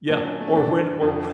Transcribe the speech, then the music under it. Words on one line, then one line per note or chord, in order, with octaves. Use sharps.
yeah, or when or
A#2 F#3 D4
C#4
A3
C#4
G2 E3 D4
F2 D3 F3